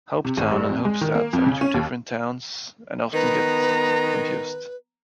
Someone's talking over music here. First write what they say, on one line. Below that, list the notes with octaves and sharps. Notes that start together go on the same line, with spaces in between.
Hopetown and Hoopstad are two different towns and often get confused.
C3
G#1
G2
F2
G#3
D#3
A#3
F2
C#3
C#4
D#2
D#3 B3 B4 A#5